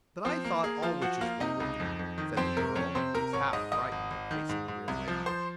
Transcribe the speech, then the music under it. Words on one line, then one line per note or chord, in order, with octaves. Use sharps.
"But I thought all witches were wicked," said the girl, who was half frightened at facing a real witch.
F3 C4 C5
A#3
A#3 G#4
F3 F4 F5
F3 F#4 F#5
A#3 F4 F5
C3 D#4 D#5
C#2
F2
F2
D#3
F2 C4 C5
C3 A#4
F2 C#4 C#5
C3 C4 C5
C3 A#4 A#5
G#1 C#5 C#6
G#2 D#5 D#6
G#1 D#5 D#6
G#1
G#1
D#3
G#2
G#2
C2
F3
F3 C5 C6